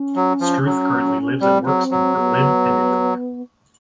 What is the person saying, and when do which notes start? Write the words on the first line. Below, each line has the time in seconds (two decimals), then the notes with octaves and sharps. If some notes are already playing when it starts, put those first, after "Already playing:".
Struth currently lives and works in Berlin and New York.
Already playing: C#4
0.16 F#3
0.41 F3
0.66 F#3
1.41 G3 C4
1.66 F#3
1.91 F#3
2.17 B3